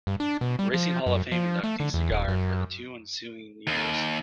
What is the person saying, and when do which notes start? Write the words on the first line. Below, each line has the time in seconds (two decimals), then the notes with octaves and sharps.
Racing Hall of Fame inductee Cigar for the two ensuing years.
0.07 G2
0.20 D4
0.41 B2
0.59 G3
0.74 F3
1.06 F#2
1.32 F3
1.64 A3
1.80 D3
1.94 E2
2.11 D#1
2.28 F#2
3.67 D#2